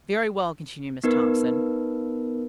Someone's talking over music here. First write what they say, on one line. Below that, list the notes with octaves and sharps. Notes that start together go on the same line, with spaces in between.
"Very well," continued Miss Thompson.
B3 D#4 A#4 B4